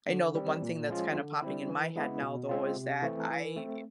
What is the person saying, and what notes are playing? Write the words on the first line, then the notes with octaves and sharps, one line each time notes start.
I know the one thing that's kinda popping in my head now, though, is that I,
D3
G3 C4
A#2
F3 G#3 C#4 F4
D3
G3 C4 E4
E3
G#3 B3 E4
B2
G#3 C4 F4
C3
E3 A3 C4
E3
A3 C4